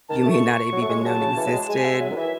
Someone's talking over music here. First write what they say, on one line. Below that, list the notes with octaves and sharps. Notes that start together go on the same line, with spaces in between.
you may not have even known existed
D#3 A5
A5
A3 C#6
F#3
A3
G#3
F#3 A5
C#3
E3
F#3
G#3
G#3 G#5
G#3 E5
F#3
D#3
E3 E5